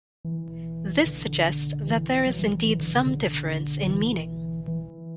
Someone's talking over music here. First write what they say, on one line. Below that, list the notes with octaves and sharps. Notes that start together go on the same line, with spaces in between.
This suggests that there is indeed some difference in meaning.
E3
D3
E3
F#3
E3
E3
D3
C#3
D3
E3
E3